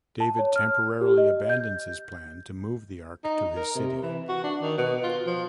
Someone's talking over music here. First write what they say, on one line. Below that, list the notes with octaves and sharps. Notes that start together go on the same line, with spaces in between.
David temporarily abandons his plan to move the ark to his city.
A5
C#5
F6
G4
D#5
G6
D#4
A#4
C3
E3
F#4
D4
D#3
B2
F4
F3